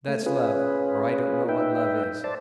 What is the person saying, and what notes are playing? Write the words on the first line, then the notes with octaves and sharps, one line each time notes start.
"That's love, or I don't know what love is."
A3
C#4 F4 G#4 B4
D#4 B4 E5 G5
C5 D5 A5